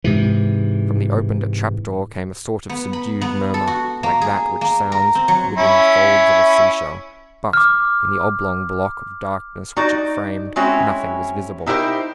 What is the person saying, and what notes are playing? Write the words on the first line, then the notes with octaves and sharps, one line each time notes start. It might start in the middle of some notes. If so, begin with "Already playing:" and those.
From the opened trap-door came a sort of subdued murmur, like that which sounds within the folds of a sea-shell, but, in the oblong block of darkness which it framed, nothing was visible.
G#2 C3 E3
B3
B5
B3
A4
F#4
A#3
G#4
A#3
A#4
C4
F#3
C#4 E4
D6 F6
D#4 F#4 D5
G#3 C4 C#4 E4 F#4
D#4 E4 G4 A#4 C5